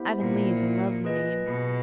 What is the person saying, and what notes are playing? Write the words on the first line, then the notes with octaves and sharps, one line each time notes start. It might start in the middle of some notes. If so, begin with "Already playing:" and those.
Avonlea is a lovely name.
Already playing: B3 E4 G4 C5 E5
A#2
F4 G#4 B4 D#5
B2